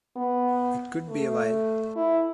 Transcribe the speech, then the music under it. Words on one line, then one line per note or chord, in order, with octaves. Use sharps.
It could be a while.
B3
A3
E4